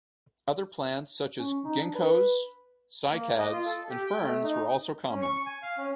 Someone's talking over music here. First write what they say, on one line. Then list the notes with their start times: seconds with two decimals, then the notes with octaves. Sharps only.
Other plants, such as ginkgoes, cycads, and ferns were also common.
1.39 C#4
1.64 D#4
1.79 D4
1.95 B4
3.13 A#3
3.39 D#5
3.53 F4
3.66 A4
3.90 G4
4.07 G5
4.22 A3
4.43 D#4
5.09 C#4
5.22 C#6
5.46 G#5
5.63 F5
5.77 C#4